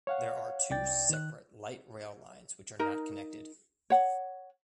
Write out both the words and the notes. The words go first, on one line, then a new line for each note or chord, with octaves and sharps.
There are two separate light rail lines which are not connected.
C#5 F5 F#5
C2 D5 G5 A6
D#3 F#6
D#4 A#4
C#5 F#5